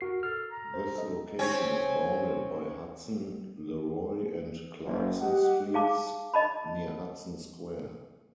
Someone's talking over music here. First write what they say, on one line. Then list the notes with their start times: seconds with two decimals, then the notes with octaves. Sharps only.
This location is bounded by Hudson, Leroy and Clarkson Streets near Hudson Square.
0.01 F#4 A#4 C7
0.23 A4 F6
0.51 A#5
0.74 C5
0.95 A4 D#5
1.39 C4 C#4 C#5
4.85 F#1
5.21 G4 D#5 F#5
5.74 G#4 F5 A5 D6
6.34 D#5 A5 B5